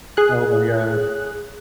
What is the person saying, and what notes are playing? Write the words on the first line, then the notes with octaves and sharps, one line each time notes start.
Oh my god.
G#4 F#6